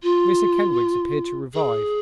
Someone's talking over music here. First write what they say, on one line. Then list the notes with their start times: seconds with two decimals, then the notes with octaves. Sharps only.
Mr Kenwigs appeared to revive.
0.03 F4
1.54 G#4